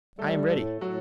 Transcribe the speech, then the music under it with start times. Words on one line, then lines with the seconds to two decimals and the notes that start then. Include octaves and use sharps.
"I am ready."
0.19 G3 A3 A4
0.50 A2 A3 A4
0.81 A2 F#3 F#4